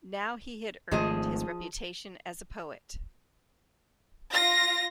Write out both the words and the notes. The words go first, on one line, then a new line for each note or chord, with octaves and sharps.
Now he had earned his reputation as a poet.
G#1 F3 A3 G#4 D#5
F4 A#6